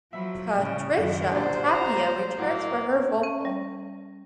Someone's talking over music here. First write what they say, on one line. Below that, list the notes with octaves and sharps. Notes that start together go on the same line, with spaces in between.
Patricia Tapia returns for her vocal.
F3 F#3 E5 B5
A2 C#3
F#2 D#3
F#2 A#2 D3 D4 G4 C5 D5
F#5 A#5
A2 F#3 A#3 F#4
C#4
G3